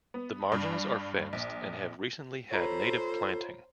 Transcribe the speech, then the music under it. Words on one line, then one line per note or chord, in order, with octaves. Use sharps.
The margins are fenced and have recently had native planting.
B3
G2
A#1
F4 A4 C5 C#5 A#5 B5